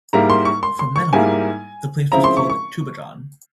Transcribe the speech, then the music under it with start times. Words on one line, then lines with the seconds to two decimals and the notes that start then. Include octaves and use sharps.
From then on, the place was called "Tubajon".
0.13 G#2 G3 A#3 E4 A#5
0.30 C6
0.45 C#6
0.63 C6
0.79 C6
0.96 C#6
1.13 G#2 G3 A#3 E4 G#5
2.11 C#3 F3 C4 E4 A#5
2.24 C6
2.37 C#6
2.50 C#6